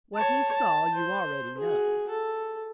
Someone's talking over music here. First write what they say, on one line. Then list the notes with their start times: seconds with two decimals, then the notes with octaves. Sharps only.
What he saw you already know.
0.15 C#5 A5
0.54 A5
0.93 C5
1.57 F#4 G#4
2.09 A4